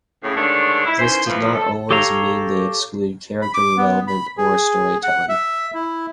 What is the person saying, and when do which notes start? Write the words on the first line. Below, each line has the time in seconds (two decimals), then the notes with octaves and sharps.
This does not always mean they exclude character development or story-telling.
0.23 A2 C#3
0.36 D3 D#3 G#3 A3 D4 C#5
0.86 E4
0.99 D#3 E3 C#4 C5
1.27 E2 E3 F3
1.55 A4
1.91 G4 A4 C#5 F5 A#5
3.42 B5
3.54 D6
3.78 B3
4.07 B5
4.38 G#4
5.03 F#5
5.29 E5
5.74 E4